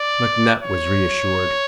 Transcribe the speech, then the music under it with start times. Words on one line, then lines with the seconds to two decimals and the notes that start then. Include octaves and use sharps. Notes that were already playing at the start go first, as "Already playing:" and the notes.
McNutt was reassured.
Already playing: D5
0.63 C#5